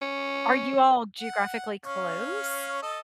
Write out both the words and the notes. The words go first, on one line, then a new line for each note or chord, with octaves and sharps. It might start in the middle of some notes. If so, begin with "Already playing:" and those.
Are you all geographically close?
C#4
F#5
C#4 C#5 F5
A4 D#5 A5